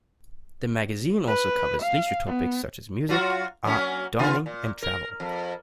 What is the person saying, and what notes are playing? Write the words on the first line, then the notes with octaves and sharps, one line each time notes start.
The magazine also covers leisure topics such as music, art, dining, and travel.
B4
F5
B3
F#3 F4 F#4
F#3 A#3 C#4
D3 B3 F4
A#2
A#4
F2